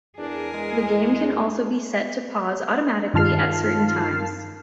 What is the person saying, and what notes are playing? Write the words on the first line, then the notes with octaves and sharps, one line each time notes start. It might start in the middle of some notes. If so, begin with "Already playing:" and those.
The game can also be set to pause automatically at certain times.
E2 D4 G#4 A#4
G#3
G2 D#3 F4 A5 F6 C7